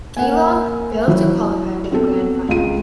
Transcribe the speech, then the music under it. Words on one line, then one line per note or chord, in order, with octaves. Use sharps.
Geelong failed to qualify for the Grand Final.
A#3 F#5 G#5
F#3 E4
B3 C4 F#4 A4
C#2 F4 D#7